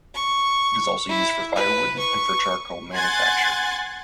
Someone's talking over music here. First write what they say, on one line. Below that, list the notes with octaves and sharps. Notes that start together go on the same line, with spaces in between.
It is also used for firewood and for charcoal manufacture.
C#6
E4
B4
C#6
F#5 G#5 C6 F#6 G#6 A6